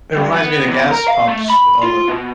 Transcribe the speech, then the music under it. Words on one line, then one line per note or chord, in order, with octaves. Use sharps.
it reminds me of the gas pumps, with all the
G2
B3
E2
A#4
F5
A3
B5
F4
B2